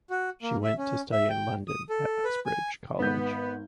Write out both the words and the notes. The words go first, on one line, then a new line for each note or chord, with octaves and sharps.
She went to study in London at Uxbridge College.
F#4
A#3
E5
C#4
E5
G5
D#6
A4
B4
G#5
G#1 B3 G6